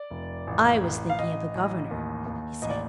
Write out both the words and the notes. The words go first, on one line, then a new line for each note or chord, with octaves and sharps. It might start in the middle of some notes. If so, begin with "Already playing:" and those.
"I was thinking of the governor," he said.
Already playing: D5
F1
A1
A1
F5
A1 D#5
A1
D#2
D#2
A1 D#5
D5